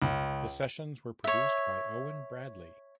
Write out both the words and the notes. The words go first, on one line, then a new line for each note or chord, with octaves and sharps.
The sessions were produced by Owen Bradley.
C#2
C#5 E5